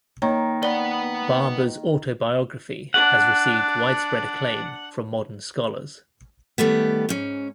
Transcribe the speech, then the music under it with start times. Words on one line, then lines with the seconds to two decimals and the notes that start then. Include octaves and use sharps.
Babur's autobiography has received widespread acclaim from modern scholars.
0.22 D#3 A#3 C#5
0.63 B4 D5 F#5 G7
2.94 D4 F#5
6.58 D#3 G3 A3 B3
7.09 G#2 C#4